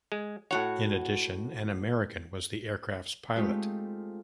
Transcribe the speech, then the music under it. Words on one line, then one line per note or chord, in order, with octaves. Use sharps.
In addition, an American was the aircraft's pilot.
G#3
A2 F#4 C#5 F#5
G#3 A3 C4 D#4 F4 G4